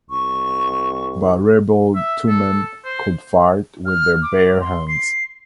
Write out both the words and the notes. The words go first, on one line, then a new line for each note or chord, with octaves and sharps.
But rebel two men could fight with their bare hands.
C2 C#6
E5
A4
C5
F6
D6
C6
C7